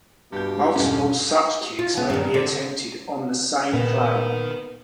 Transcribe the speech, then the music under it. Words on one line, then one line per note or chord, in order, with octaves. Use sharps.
Multiple such kicks may be attempted on the same play.
G2 B2 G4 G6
E1 G2 C#4 A4
F4
D#2 B3
G2 D#3
D3
A#2 B3 A#4 D#5